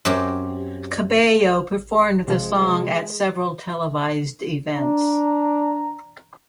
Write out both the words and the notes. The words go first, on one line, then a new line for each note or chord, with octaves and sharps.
Cabello performed the song at several televised events.
F#2 F#3 C4 G4
C3 F3 G#3
D4 A#5